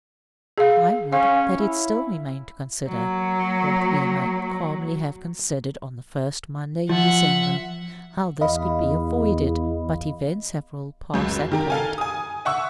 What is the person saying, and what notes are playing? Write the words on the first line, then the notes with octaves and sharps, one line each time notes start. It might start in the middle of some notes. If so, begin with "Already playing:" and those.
I would that it still remained to consider what we might calmly have considered on the first Monday in December--how this could be avoided; but events have rolled past that point.
G#4 F5
C#4 F5
E4
F#3 A#3
F3 E5 F#5
E2 D#5 F5 B5
C#2 F#2
D#3 G4 A#4
A4 F5 G#5
G#5 D#6
E5 F#5 C#6 E6